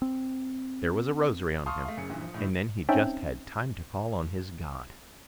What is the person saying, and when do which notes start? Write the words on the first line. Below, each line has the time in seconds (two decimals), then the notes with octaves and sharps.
"There was a rosary on him; and then he just had time to call on his God."
0.02 C4
1.66 F5 A5 C6 C#6 D#6 F6
1.85 A3 F5
1.97 F#1 F#2 G#4 C#7
2.09 G2 A#2 E3
2.22 F3
2.34 A2 D3
2.89 C4 C#4 D#4 E5 G5 A5